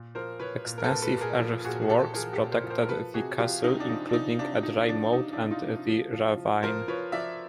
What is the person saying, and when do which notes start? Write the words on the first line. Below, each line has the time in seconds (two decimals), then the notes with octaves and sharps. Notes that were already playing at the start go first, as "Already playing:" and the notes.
Extensive earthworks protected the castle, including a dry moat and the ravine.
Already playing: A#2
0.15 F3 A#4 C5
0.40 F3 B4 C#5
0.65 A#2
0.78 A#4
0.84 A4 B4
0.90 A#2
1.02 A4 B4
1.15 A#2
1.21 G#4 A#4
1.40 F3
1.64 A#2 F#4 G#4
1.82 G#4
1.89 F3 G4 A4
2.14 F3 G#4 A#4
2.33 G4 A4
2.39 A#2
2.52 A#4 C5
2.64 F3
2.70 A#4 C5
2.83 A#4
2.89 F3 A4 B4
3.14 C3 F#4 G#4
3.38 F3 F4 G4
3.64 C3 D#4
3.80 D4
3.89 F3 D#4
4.09 D4
4.13 F3 D#4
4.39 C3 D4
4.63 F3 D#4
4.89 F3 D4
5.13 F3 D#4
5.33 D4 E4
5.38 C3
5.50 D#4 F4
5.63 F3
5.88 F3
6.13 F3
6.37 F3
6.63 F3 A#4 C5
6.88 F3 B4 C#5
7.12 F3 D5 E5